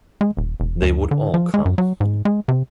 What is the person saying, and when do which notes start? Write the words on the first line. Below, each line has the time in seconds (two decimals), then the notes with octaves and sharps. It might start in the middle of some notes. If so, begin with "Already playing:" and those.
They would all come.
0.21 G#3
0.37 D#1
0.60 E1
0.82 D2
1.11 D3
1.34 F3
1.54 G#3
1.65 F#2
1.78 F#3
2.00 G#2
2.25 G#3
2.48 C3